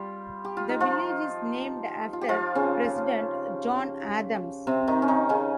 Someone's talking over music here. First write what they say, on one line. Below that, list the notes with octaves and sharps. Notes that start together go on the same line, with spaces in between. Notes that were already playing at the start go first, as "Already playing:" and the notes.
The village is named after President John Adams.
Already playing: G3 F4 G4
G4
F4
D#4
F3 F4
F4
G4
F3 F4
C#3 C#4
C3 C4
D#3 D#4
C#4
D#3 D#4
C#3 C#4